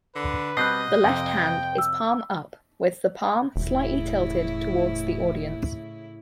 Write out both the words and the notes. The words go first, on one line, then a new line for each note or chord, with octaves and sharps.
The left hand is palm up with the palm slightly tilted towards the audience.
D3 B4
B2 G3 C4 D#5 F#6 G6 C7
F2 C3 G5
E6
E1 A2 C#3 E4